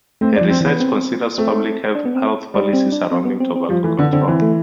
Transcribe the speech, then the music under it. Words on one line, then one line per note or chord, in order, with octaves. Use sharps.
Her research considers public health policy surrounding tobacco control.
A3 C4
D4
F3
C4
E3
B3
C4
A3 C4
D4
B3
C4
G3
C4
D4
C4
B3
C4
C4
F3 G3
E3 A3
D3 B3
D3 C4
E3 C4
A3